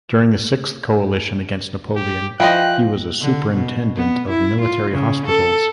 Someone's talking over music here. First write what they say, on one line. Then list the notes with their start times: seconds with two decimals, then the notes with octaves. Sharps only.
During the Sixth Coalition against Napoleon, he was a superintendent of military hospitals.
1.96 G4
2.40 E3 F3 G4 C5 D#5 G5 F#6
3.21 D3
3.54 B2
3.97 B3
4.29 E4
4.61 F4
4.91 C#3
5.27 A4